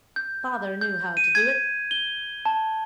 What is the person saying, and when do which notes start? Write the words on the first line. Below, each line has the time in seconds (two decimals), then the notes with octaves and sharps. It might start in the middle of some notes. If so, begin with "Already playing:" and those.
"Father knew how to do it."
0.16 G6
0.81 G6
1.17 D#7
1.35 G#6
1.91 G7
2.45 A5